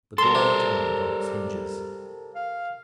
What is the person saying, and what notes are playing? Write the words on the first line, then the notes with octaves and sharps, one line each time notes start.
The door turned on its hinges.
G3 A4 A#4 C6
C3
F5